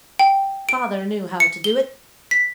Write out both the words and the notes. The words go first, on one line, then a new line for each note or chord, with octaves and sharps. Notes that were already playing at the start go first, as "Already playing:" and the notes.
"Father knew how to do it."
G5
D7
C#7
G7
B6